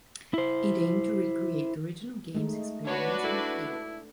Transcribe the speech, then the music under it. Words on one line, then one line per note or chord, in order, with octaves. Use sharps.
It aimed to recreate the original games experience and appeal.
E4 C5
G#3 A3 D#4
D4 F#4 B4 C#5
E4 A4